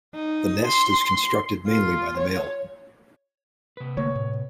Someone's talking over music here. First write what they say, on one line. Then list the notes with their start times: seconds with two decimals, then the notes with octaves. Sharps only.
The nest is constructed mainly by the male.
0.15 D#4
0.66 C6
1.67 F4
2.18 C#5
3.77 C3 B4
3.97 D3 A3 A#3 C#5
4.15 A2